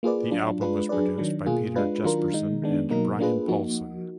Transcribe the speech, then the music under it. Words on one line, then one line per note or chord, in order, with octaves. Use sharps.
The album was produced by Peter Jesperson and Brian Paulson.
A#3 F4 G#4 B4 D5
F#3 D4 F4
G#3 D4 F4 B4
F#3 D4 G#4 B4 D5
D#3 F#3 D4
B2 A#3 F4 G#4
G#3 D4 F4 B4
D#3 F#3 D4 F4 A#4
D#3 G#3 D#4
D#3 G#3 B3 D4
B2 F#3 A#3 D#4 A#4
A#3 D4 F4 G#4 B4
F3 A#3 D#4 F#4